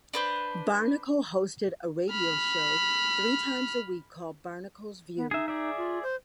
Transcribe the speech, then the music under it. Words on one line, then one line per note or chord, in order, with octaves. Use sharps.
Barnicle hosted a radio show three times a week called "Barnicle's View".
D4 B4 C5
B5 F6
B3
D#4 G#4 E5
G#4 D5 E5
F4
C5